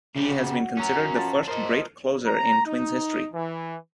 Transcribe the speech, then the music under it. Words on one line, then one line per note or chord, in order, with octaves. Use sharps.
He has been considered the first great closer in Twins history.
C#3 G4
F#4
F#3 C#4 A#4 F#5
F4 C#5 A5
A#4 C5 D#5
A#5
D#4
E3